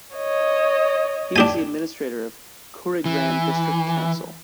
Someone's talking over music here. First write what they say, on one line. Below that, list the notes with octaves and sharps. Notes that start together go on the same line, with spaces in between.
He was the administrator of Kurigram district council.
C#5 D#5
D4 G4 G#5
E3